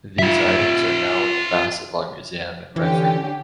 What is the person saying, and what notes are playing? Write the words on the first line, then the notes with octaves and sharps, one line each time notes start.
These items are now in the Bassetlaw Museum in Retford.
F4 E5
D3 E3 C#4 G4